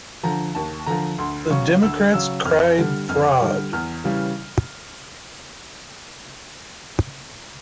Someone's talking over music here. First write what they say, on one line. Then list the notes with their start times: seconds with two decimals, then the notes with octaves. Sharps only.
The Democrats cried fraud.
0.23 D3 F3 A#5
0.55 D#2 A5
0.86 D3 F3 A#5
1.19 D2 C6
1.50 C#3 F#3 C#6
1.83 D2 E6
2.14 C#3 F#3 E6
2.45 F2 F6
2.78 D3 G3
3.09 F2 F6
3.41 D3 G3
3.73 E2 F6
4.04 C#3 E3 G3